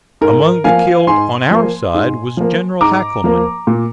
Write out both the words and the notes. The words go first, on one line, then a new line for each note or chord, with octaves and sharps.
Among the killed on our side was General Hackelman.
G#2 A#4
F3 A#3 F5 G#5
G#2 G#5 C6
F3 A#3
G#2
F3 A#3
G#2 A#5 D6
F3 A#3
A#2